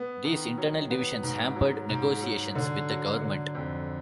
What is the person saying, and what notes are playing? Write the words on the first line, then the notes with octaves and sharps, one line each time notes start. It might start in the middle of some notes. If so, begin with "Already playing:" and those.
These internal divisions hampered negotiations with the government.
Already playing: B3
D#3
F#3
B3
G#2
F#3
G#2
F#3
D3
F#3
D3
F2